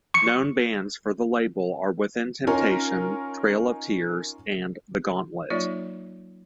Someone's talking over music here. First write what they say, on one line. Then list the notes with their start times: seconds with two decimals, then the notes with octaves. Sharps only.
Known bands for the label are Within Temptation, Trail Of Tears and The Gauntlet.
0.14 C#6 C#7
2.47 C#4 D#4 F4 A#4 C#5 G#5
5.50 F#3 A#3 D#4 F4 C#5 D5